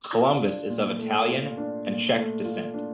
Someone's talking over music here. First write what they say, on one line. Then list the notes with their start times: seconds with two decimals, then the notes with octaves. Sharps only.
Columbus is of Italian and Czech descent.
0.13 F4
0.42 D4
0.70 A#2
0.99 A3
1.28 F4
1.57 D4
1.87 A#2
2.16 A3
2.44 F4
2.74 D4